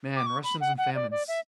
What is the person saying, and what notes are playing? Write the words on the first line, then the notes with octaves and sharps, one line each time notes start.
man, Russians and famines.
D6
C#6
B5
F#5
F#5
D5
D5
E5